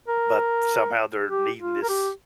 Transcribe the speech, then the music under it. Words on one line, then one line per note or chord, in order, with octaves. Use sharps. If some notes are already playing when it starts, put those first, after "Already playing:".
but somehow they're needing this
A#4
G4
F4
A#4
G4